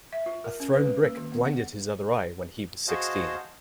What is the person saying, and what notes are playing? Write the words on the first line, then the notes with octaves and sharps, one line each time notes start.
A thrown brick blinded his other eye when he was sixteen.
E5
F4
A#4
C#4
B4
G#3
A#3
D#3
B3
F#5
F#4 G#4 C5 D#5 F5 A5